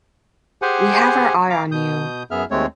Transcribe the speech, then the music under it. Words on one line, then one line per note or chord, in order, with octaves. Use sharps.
We have our eye on you.
G4 G#4 C5 F#5 G#5
F5 A#5 D6
B2 D#6 G6
F#2 B3 G#4 E5 F6
D#2 G#3 A3 C4 C#5